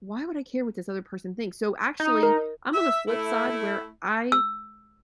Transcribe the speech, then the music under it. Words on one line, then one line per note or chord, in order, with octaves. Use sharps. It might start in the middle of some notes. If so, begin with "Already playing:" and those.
why would I care what this other person thinks? So, actually, I'm on the flip side where I
D#4
A#4
E5
A3 E4
E6